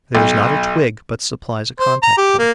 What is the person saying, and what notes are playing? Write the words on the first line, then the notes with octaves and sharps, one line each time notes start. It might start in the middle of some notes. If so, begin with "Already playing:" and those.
There is not a twig but supplies a contact-point.
B1
C5
A#5
G4
A#3